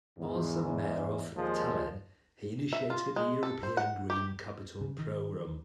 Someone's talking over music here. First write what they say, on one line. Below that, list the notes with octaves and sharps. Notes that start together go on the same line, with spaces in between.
As a Mayor of Tallinn he initiated the European Green Capital programme.
E2 G#2
D#2 A#2 F3 G#3
E5
F4
G#3
A4
C5
F#5
G4
C#3
D#3